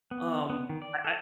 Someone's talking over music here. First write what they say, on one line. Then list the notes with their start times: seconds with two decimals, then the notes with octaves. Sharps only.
Um, I
0.11 B3
0.50 B3
0.69 D#3
0.82 D5
1.05 A4